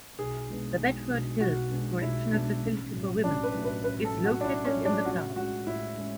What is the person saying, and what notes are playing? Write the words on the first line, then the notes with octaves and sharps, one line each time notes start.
The Bedford Hills Correctional Facility for Women is located in the town.
B1 G#4
B2 G#3 B3 D4
B1
B2 G#3 B3 D4
B1 F#4
B2 G#3 B3 D4
B1 E4
B2 G#3 B3 D4
A1
A2 F#3
A1 D4
B4
A2 F#3
B4
A1 B4
A4
A2 F#3
F#4
D4
A1 E4
C#4
A2 F#3
D4
A2 F#4
G#3 C#4 F#4
A2 E4
G#3 C#4